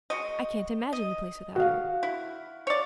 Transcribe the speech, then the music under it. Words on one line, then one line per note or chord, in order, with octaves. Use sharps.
I can't imagine the place without her.
G#3 F#4 D#5
D#5
F#4 F5
E4
C#5 D5